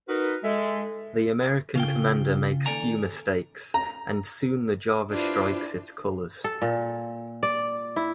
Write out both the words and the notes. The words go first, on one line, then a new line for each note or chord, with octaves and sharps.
The American commander makes few mistakes and soon the "Java" strikes its colours.
D#4 F#4 A#4 B4
G#3 A4 E5
C#3 F4 G5
D#2 G#2 A4 D5 G#5 A#5
A#5
D4 E4 F4 G4 B4 C5
A4
A#2
D5
E4